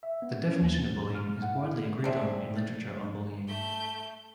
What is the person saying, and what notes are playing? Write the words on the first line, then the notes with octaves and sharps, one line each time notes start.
The definition of bullying is widely agreed on in literature on bullying.
E5
B3
C#4
D#2
A6
A2
F6
F#5
E4
C4 D4 G#4 E5
A6
A3 G6